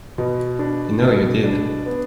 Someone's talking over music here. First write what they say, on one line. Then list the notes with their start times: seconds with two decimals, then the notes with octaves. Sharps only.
You know you did.
0.18 B2
0.59 D4
1.02 B2
1.44 D4
1.86 B3